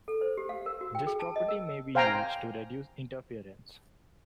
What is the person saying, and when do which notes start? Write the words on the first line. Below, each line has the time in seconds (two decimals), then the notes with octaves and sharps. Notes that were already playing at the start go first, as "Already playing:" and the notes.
This property may be used to reduce interference.
0.08 A4
0.21 C5
0.37 G4
0.49 F5
0.66 A#4
0.81 F#4
0.95 G5
1.07 G#4
1.20 A5
1.36 D#5
1.48 A#4
1.95 C5 F5 G5 G#5 A#5